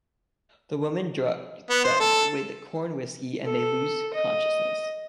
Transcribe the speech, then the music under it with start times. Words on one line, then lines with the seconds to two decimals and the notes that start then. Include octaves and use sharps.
The women drug them with corn whiskey and they lose consciousness.
1.70 B3
1.84 C5
2.00 A4
3.45 A4
4.14 D#5